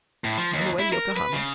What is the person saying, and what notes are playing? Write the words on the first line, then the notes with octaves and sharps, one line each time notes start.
"On the way to Yokohama?"
A2
F3
D#2
E4
A#4
B4
C#3